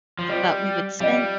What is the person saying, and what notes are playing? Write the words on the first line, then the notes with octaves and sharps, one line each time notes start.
but we would spend
F3
F3 G3 C4 F4 D#5
F3 G3 C4 F4 D#5